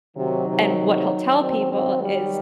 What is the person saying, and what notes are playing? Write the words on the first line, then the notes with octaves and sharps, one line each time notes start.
and what he'll tell people is,
C3 D#3 F#3
C3
C3
D#3 F#3 C4
C4
G3